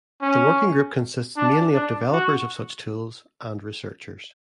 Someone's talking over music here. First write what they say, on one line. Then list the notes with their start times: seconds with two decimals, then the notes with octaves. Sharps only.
The working group consists mainly of developers of such tools and researchers.
0.21 C#4
1.36 D4
1.74 D4
2.12 F#4